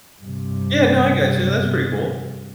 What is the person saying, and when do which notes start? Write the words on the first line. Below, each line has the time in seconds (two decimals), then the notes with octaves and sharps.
Yeah, no, I gotcha, that's pretty cool.
0.20 G2 C3